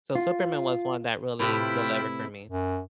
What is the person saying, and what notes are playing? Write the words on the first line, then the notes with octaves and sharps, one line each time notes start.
So Superman was one that really delivered for me.
F4
A2 C3 E4 F4 B4 G5 B5
F#2